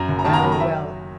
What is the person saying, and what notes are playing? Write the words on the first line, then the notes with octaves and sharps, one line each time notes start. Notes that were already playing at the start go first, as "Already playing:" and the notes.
Well, well!
Already playing: F#2 A#5
F#1
A#5
D#3 A5
A#5
F#3 B5
A#5
E5